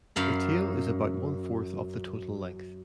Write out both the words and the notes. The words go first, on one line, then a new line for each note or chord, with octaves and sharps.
The tail is about one-fourth of the total length.
F#2 F5 B5